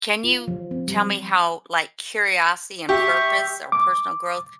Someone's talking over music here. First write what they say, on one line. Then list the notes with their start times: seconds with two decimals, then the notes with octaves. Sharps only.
can you tell me how, like, curiosity and purpose or personal growth
0.24 F4
0.48 F3
0.71 C4
0.88 G3
2.89 G4 E5 C#6
3.72 D6